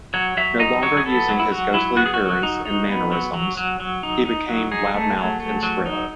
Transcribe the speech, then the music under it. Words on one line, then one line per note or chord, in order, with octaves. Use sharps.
No longer using his ghostly appearance and mannerisms, he became loudmouthed and shrill.
F#3 C#5
F#3 E5
D#4 D#5
F#3 C#5
G#4
B3 A4
F#3
E4
F#3 F#4
F#3 E4
B3 F#4
G#4
F#4
F#3
D#4
D#4
B3
F#3
F#3
F#3
F#3
D#4
D#4
F#3
D#4 G#4
A3
F#3
A3
F#3
D#4